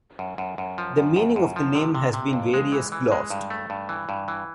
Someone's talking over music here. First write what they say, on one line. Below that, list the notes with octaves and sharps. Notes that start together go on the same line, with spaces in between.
The meaning of the name has been various glossed.
F#2
F#2
F#2
F3
F#2
F#2
F#2
F3
C3
C3
C3
F2
G#3
E3
E3
G#3
G2
A3
G2
E3
G2
E3